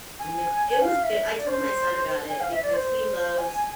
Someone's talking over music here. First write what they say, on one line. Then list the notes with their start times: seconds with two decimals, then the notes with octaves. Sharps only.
I know, it was goo I told my son about it because he loves
0.19 G#5
0.82 F5
1.03 E5
1.38 D5
1.46 C5
2.28 G#5
2.40 F5
2.51 E5
2.62 D5
2.73 C5
3.37 G#5